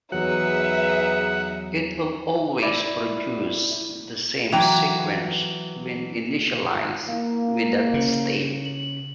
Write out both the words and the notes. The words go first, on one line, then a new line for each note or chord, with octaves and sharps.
It will always produce the same sequence when initialized with that state.
E2 F#3 D#4 G#4 B4 E5 F#5
E4 D5
E3 F#3 G5 A#5
A#3 E4 F5
C#3
F#7